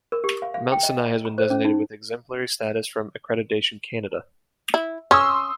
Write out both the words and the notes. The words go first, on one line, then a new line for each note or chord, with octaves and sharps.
Mount Sinai has been designated with Exemplary Status from Accreditation Canada.
A#4
G4
F5
F5
G5
D#5
A#5
A#5
C5
C#4
D#4
E4
C#4 C6 D#6 E6